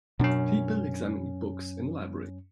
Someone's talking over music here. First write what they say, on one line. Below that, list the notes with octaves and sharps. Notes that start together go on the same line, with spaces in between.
People examine books in a library.
F#2 B2 C#4 D4